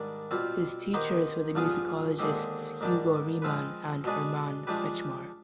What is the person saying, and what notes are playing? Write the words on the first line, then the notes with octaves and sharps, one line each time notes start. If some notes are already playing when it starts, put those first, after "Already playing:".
His teachers were the musicologists Hugo Riemann and Hermann Kretzschmar.
Already playing: G#2 D#3 G3 D4
B2 G3 C4 F4
D#3 B3 D#4 G4 C5
G2 F3 B3 F4 G#4
D#2 D3 G#3 C4 G4
G#2 D#3 G3 D4 G4
F3 G#3 C4 F4 B4
B2 G#3 D4 G#4 B4
F3 G#3 D4 G4 B4